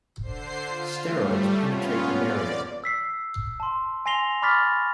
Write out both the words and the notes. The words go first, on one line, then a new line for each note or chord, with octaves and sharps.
Steroids penetrate the barrier.
D3 C5 C7
F4
G3 A3
B3 C#4 F4
D5
E6 B6 C7
A5 C6
G#5 C6 A#6 C7 F7 G7
B5 C#6 D6 F6 A6 B6